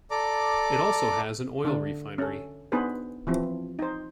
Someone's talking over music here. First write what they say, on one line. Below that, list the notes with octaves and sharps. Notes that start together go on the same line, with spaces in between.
It also has an oil refinery.
A4 D5 A#5 D6
D3 D4
C#4 A4
B3 D4 D#4 G#4 B4 C5
E3 F3 C4
D#4 C5